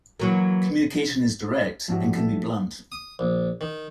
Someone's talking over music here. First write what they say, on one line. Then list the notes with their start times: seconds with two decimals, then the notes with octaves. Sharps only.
Communication is direct, and can be blunt.
0.20 E3 F#3 A#3
1.88 G#2 F3 C4 D4 E4 F#4 G4
2.15 A3
2.92 D#6
3.19 A#1
3.61 D#3